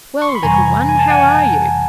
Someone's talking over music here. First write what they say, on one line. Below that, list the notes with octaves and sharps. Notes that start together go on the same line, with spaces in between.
'Well, little one, how are you?
C#6
C6
B5
F2 C3 E3 G3 G#5 A#5
G#5
A5
F#5 G#5